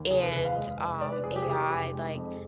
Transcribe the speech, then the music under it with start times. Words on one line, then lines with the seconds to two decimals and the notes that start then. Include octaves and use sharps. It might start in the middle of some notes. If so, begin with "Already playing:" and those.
and, um, AI, like,
Already playing: D#2
0.11 F1 G#4
0.22 B4
0.33 F1 B4
0.45 F5
0.56 G#3 D#5
0.79 F1
1.01 G#3 D5
1.12 B4
1.24 F1 G#4
1.36 G4
1.42 G#4
1.47 F1 G4
1.69 F1
1.92 G#3
2.15 F2